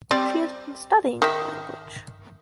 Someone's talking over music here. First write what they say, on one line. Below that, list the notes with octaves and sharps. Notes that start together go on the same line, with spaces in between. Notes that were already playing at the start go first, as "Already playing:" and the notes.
She has been studying the language.
G3 C4 D5
D#3 E5